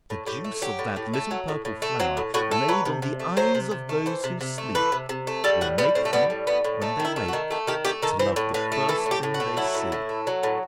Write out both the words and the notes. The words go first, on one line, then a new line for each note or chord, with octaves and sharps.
The juice of that little purple flower laid on the eyes of those who sleep will make them, when they wake, to love the first thing they see.
A2
A2 G4
A3
F#3 G4
A2
A2
A3
F#3
A2
A2
A3
F#3 C4
A2
A2 F#4
A3
F#3 B4
C3
C3
A3
F#3 C5
C3
C3
A3
E3 C5
C3
C3
A3
E3 B4
C3
C3
A3
G3 A4
A2 F#4
G3 B3
A2 C4
A3
G3 B3
A2
G3 B3
A2
A3 D#4
D#3
E4
A3
F#4
D#3
A3 G4
D#3 G4
A3 G4
D#3 A4
E3 C5
A2
A2 B4
A3
E3 A4
A2
G4
A2
F#4
A3
F#3 E4
A2
A2
A3
F#3
A2